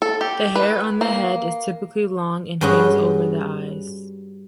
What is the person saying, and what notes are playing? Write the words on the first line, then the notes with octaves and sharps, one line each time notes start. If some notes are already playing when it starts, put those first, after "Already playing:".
The hair on the head is typically long and hangs over the eyes.
A4
G4
B4
A#3
G2 G#3 C#4 F#4 G#4